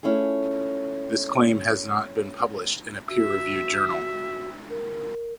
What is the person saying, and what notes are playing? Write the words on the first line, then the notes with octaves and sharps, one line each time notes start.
This claim has not been published in a peer reviewed journal.
A3 C#4 E4 F4 G#4
F#4 E5
A#4